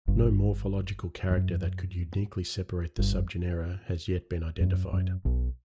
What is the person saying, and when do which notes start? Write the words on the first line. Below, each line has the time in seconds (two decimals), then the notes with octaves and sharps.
No morphological character that could uniquely separate the subgenera has yet been identified.
0.08 G1 G2
1.31 E2
1.37 F#2
2.99 G1 G2
4.61 F#2
4.93 F#2
5.25 B1 B2